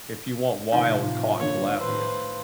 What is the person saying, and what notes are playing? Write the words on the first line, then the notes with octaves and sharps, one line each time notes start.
if you want wild-caught tilapia,
A2 C3 D#3 F3
D3 A#3 C#5
A2 D#3 B4 C5 E6